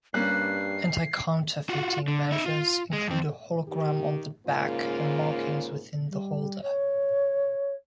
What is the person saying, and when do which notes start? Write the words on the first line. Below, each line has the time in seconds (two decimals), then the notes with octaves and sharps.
Anti-counterfeiting measures include a hologram on the back and markings within the holder.
0.14 G2 G3 A#3 C#4 F#6 C7
1.69 F4 F#4
2.08 D3
2.32 D#4 E5
2.46 F4
2.93 G#3
3.08 F2 C4
3.68 D#3 G4
4.46 G#2 C#3 A#3 F4
6.09 G3
6.61 C#5